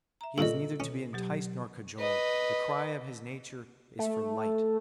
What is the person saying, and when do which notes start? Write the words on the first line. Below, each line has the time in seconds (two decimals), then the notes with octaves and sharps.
He is neither to be enticed nor cajoled. The cry of his nature is for light.
0.21 E5 A#5
0.38 G2 A#2 C#3 A4 D#5 C#6
0.80 B2 C#4
1.13 B2 F#3 G4
2.00 B4 D#5
3.99 A3